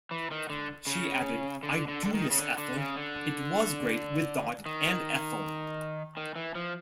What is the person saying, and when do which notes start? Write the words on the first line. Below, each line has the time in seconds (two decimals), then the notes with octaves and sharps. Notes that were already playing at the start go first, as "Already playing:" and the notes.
She added, I do miss Ethel, it was great with Dot and Ethel.
0.11 E3
0.31 D#3
0.50 D3
0.87 C#3
1.63 D3
1.88 D3
2.06 D3
2.14 D#3
2.31 C#3
2.39 D3
2.58 D3
2.77 C#3
2.96 D3
4.66 D#3
6.17 D#3
6.36 E3
6.55 F3